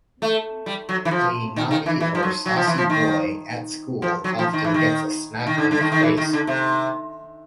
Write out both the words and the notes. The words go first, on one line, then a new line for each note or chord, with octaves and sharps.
A naughty or saucy boy, at school, often gets a smack on the face.
A3
G3
F#3
E3
F3
D#3
D#3
E3
E3
F3
F#3
F#3
F3
E3
F3
D#3
F3
F#3
F3
D#3
E3
D#3
D#3
D3
D3
D#3
D#3
E3
D#3
D3
C3